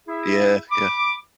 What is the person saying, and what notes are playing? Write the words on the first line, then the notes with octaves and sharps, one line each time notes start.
Yeah, yeah.
E4 G#4 E5
B5 D6